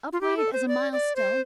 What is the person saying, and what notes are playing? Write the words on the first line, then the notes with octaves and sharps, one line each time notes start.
Upright as a milestone.
F4
G4
A4
C5
D5
D5
C5